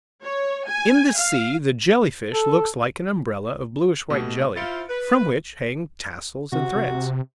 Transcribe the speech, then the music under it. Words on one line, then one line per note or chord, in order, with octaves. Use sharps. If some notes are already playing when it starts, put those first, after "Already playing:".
In the sea the Jelly-fish looks like an umbrella of bluish-white jelly, from which hang tassels and threads.
C#5
G#5
F5
A4
B2 A3 G4
E4 F4 C5 A6 C#7 D7
B4
C3 F#4
C3